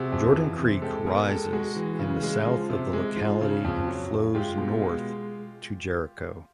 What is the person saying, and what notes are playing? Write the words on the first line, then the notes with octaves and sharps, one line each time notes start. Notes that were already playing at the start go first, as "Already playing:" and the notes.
Jordan Creek rises in the south of the locality and flows north to Jericho.
Already playing: C3 F#4 G#4
F2
E3
C3
G#3 G4 A4
B2 G#4 A#4
G#3 G4 A4
G#3 F#4 G#4
E3
C#3
G#3
F3
C3
G#3
F3
C#3
F2
F#3
C#3
G#3 F4 G4
B2
G#3